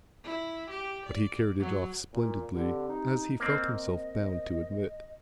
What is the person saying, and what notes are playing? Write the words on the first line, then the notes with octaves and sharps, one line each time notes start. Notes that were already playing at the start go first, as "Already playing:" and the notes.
But he carried it off splendidly, as he felt himself bound to admit.
E4
G4
D5
F#3
A#2
D3 C4 G4 B4
D#4
A#3 C4 D#5